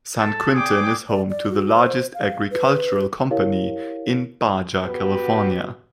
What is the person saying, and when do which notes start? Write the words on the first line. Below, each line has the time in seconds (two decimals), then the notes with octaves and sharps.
San Quintin is home to the largest agricultural company in Baja California.
0.18 A4
0.53 G#4 D5 G5 D6
1.09 D5
1.30 D5
1.50 F#4
1.74 C5
2.14 F5
2.51 B4
3.31 E4 G4 A#4 C#5 F5
4.85 B3 F#4 G4 B4